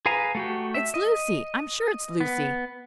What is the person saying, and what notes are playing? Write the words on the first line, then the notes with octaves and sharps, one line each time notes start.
It's Lucy--I'm sure it's Lucy!
G#4 B4 F5 G#5 A#5
A3 F#4 G4
E5
D#5
B3